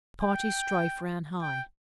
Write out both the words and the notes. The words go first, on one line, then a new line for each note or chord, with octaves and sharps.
Party strife ran high.
G5
G5